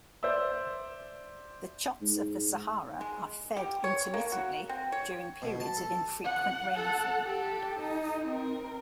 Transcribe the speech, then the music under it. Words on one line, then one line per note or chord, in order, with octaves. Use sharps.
The chotts of the Sahara are fed intermittently during periods of infrequent rainfall.
C5 D5 E5 E6
G#2
G#3
G4
C#5
A#3
F#4
C4
C#5
B2
A5
A4
F#5
A4 F#5
G4 A4
D#4
C4 A#4